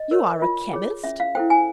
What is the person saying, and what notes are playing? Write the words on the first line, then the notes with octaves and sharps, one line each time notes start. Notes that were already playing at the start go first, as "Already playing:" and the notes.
"You are a chemist?"
Already playing: D#5
A#4 C#5
F4
G#4 C#5
C#4 E5
F5
E4 A4 C5 G5
G#5